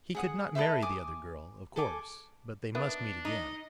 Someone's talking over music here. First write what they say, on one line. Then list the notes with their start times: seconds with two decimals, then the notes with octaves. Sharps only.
He could not marry the other girl, of course, but they must meet again.
0.15 G#4 F#5 D#6
0.55 A4 B4 C5 E5
0.82 G#5 D6 D#6
1.76 A4 G#5 D6
2.75 D#3 B3 D4 E4
3.25 D#4 D#5